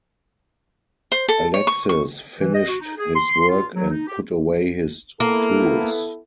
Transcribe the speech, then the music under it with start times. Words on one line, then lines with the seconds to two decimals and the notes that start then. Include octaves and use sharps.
Alexis finished his work and put away his tools.
1.12 C5
1.29 A4
1.54 C#5
1.67 C#6
1.89 C#6
2.39 E3
2.54 D#5
2.68 F#4
2.80 D#4
2.98 G#4
3.14 C6
3.48 F4
3.74 F#3
3.90 D#4
4.07 G4
5.20 A#3 B3 E4 A4